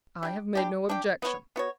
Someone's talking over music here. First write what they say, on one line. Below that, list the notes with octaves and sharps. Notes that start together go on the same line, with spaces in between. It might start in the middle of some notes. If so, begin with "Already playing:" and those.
"I have made no objection."
G3 D4 G4
G3 D4 G4
G3 D4 G4
B3 F#4 C#5
B3 F#4 C#5